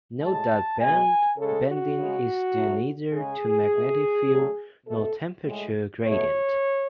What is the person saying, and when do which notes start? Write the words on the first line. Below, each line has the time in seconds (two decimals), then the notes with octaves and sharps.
Note that band bending is due neither to magnetic field nor temperature gradient.
0.21 A2 G#3 A5
0.79 B2 G#3 G#5
1.37 C#3 G#3 A4
1.66 F#4
1.96 C#3 G#3
2.54 A2 F#3 A3
3.12 C#3 G#3 G#4
3.70 B2 A3
4.29 D3 F#3 A3
4.87 B2 A3 A4
5.45 A2 G#3
6.03 B2 A3 C#5